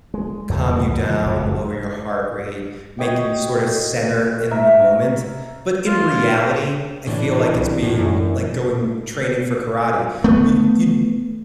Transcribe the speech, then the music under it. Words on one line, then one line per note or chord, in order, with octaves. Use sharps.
calm you down, lower your heart rate, make you sort of center in the moment. But in reality, I feel like it's being like, going training for karate. Y y
G#3
E2 G2 C#3
C2 F#2 D3 E3
F3
F#1 F2 A2
F#4 C#5 D#5 G5
A#4 E5
F4
A2 E3 D4
C2
A2
F#2
A3 B3